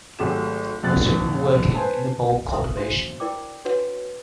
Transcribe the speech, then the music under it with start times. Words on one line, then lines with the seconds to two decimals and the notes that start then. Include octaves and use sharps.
Most of them working in the Bulb cultivation.
0.19 G#1 F#3 A3 G4 G#4 E7
0.83 F1 A#1 F2 F#4 F#6 A6
1.75 B4 C5 G#5 A5
2.51 E5 F5 C6 D#6
2.77 D4 F#4 C5 A#5 C6
3.20 E4 A#4 D5 G5 D6
3.65 D4 F#4 B4 C#5 F#5